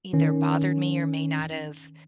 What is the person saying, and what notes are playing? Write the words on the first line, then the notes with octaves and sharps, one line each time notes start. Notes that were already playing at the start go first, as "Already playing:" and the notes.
either bothered me, or may not have,
D#3 C#4